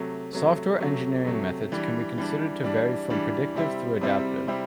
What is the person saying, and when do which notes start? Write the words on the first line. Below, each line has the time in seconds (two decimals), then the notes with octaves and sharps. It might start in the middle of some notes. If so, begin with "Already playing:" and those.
Software engineering methods can be considered to vary from predictive through adaptive.
Already playing: C3 F#3 A3
0.33 C3 F#3 A3
0.79 C3 F#3 A3
1.25 C3 F#3 A3
1.72 E3 G3 D4
2.18 E3 G3 D4
2.64 E3 G3 D4
3.10 E3 G3 D4
3.55 C3 G3 C4 E4
4.01 C3 G3 C4 E4
4.47 C3 G3 C4 E4